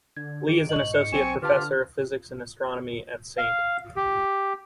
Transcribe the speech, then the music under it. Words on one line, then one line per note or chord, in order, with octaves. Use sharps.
Lee is an Associate Professor of Physics and Astronomy at St.
D3 G#6
D#3 G#4 D7
G#2 D#5 C#6 F#7
C#7
B1 C4 G#5 C#6 E7
D3 F4 G4 B4 A5 F6
F5
G4